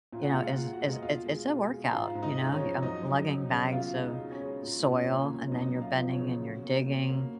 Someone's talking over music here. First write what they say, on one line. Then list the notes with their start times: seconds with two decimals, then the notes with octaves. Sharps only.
you know, is is it's it's a workout, you know, um, lugging bags of soil, and then you're bending and you're digging,
0.12 A#2 F5
0.23 F#5
0.32 F4 F5
0.35 G#3
0.43 F4 F5
0.58 A#2
0.73 F#4 F#5
0.81 G#3
0.93 D#5
1.03 B2 F4 F5
1.26 G#3
1.48 B2
1.70 G#3
1.93 G#2 F4 F5
2.15 G#2
2.23 D#4 D#5
2.37 G#3
2.52 C#4 C#5
2.60 F3
2.82 F#2 D#4 D#5
3.05 F#2
3.27 F#3
3.49 C#3
3.72 B2 F4 F5
3.94 G#3
4.02 D#4 D#5
4.17 B2
4.32 C#4 C#5
4.40 G#3
4.62 A#2
4.85 A#2
4.92 C#4 C#5
5.07 A#3
5.22 C#4 C#5
5.30 F#3
5.52 F#2 D#4 D#5
5.74 F#2
5.82 F4 F5
5.97 F3
6.11 C#4 C#5
6.19 C#3
6.42 B2
6.64 A#3
6.87 B2
7.09 A#3